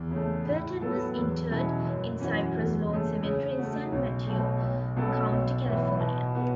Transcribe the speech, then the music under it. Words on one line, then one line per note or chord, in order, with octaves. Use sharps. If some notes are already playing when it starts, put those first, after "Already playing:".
Felton was interred in Cypress Lawn Cemetery in San Mateo County, California.
Already playing: E2
C#3 A3
A2
F#3 B3 A4
E2
B2 F#3 C#4 E4
F#2
E3 C#4 F#4
E2
C#3 A3
C#3
A3 F#4
B1
B2 A3
B1
B2 F#3 C#4 A4
B1
A2 E3 B3 E4
B2
B3 F#4